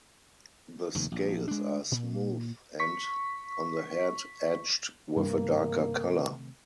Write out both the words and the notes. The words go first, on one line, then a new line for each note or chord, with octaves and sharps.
The scales are smooth and, on the head, edged with a darker colour.
F1 D#2 D#3
A#1
G#3 D4
A#2
C#6 B6
G2 C3 D#3 A3 A#3